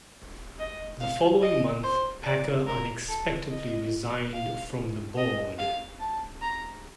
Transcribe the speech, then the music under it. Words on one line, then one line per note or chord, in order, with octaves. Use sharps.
The following month Packer unexpectedly resigned from the board.
D#5
F5
D#5
C5
D5
A#4
A4
D#5
F5
D#5
F5
A5
A#5